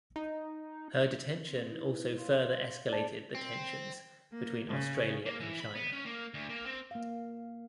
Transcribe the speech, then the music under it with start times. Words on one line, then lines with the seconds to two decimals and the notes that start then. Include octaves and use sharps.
Her detention also further escalated the tensions between Australia and China.
0.16 D#4
1.47 C4
1.66 D#4 E4 B4
2.17 C#5 F5 C6
2.89 A#3 D4 G#4 D5 A5
3.35 C4
4.32 A#3
4.68 C#3
5.26 A#3
5.40 E3
5.60 B5
5.75 B3
5.93 C#4
6.06 A#3
6.34 D2
6.49 A#3
6.66 C4
6.91 A#3 F5